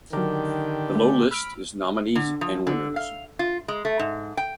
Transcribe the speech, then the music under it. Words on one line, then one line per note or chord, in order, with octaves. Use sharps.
Below list is nominees and winners.
D3 D#3 F#3 G4 A#4
A3
B5 E6 F6 D7
D3
F3
D3
F5
F4
G#3
A3
G#2
G5